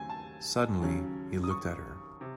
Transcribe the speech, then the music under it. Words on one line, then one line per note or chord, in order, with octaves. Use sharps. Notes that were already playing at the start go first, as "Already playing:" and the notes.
Suddenly he looked at her.
Already playing: D#2 C#3 F#3 A3 C4 G#5
A5
D#2 C#3 F#3 C#4
D#6
C#6
C3